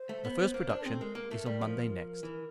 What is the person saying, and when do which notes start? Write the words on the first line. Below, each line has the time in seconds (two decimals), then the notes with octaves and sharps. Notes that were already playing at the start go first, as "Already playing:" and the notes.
The first production is on Monday next.
Already playing: C5
0.09 A3
0.25 B3
0.39 B3
0.54 A#3
0.69 D4
0.82 C4 G#4
0.91 A4
1.00 G#3 A#4
1.15 A#3
1.31 A3
1.46 G3
1.61 F3
2.23 E3